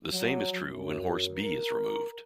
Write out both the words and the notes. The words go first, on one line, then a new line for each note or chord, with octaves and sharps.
The same is true when horse B is removed.
F#3
F#2
A#4